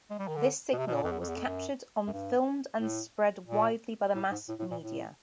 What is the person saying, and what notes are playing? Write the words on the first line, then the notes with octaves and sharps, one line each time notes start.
This signal was captured on filmed and spread widely by the mass media.
G#3
G3
D#3
D3
B2
C3
B2
A#2
F2
E2
F2
E2
F2
F#2
F#2
G2
A2
A#2
A2
G#2
A2
A2
A#2
A2